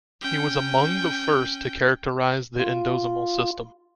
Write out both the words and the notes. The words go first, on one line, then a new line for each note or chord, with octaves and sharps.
He was among the first to characterize the endosomal system.
C#4 G5
F4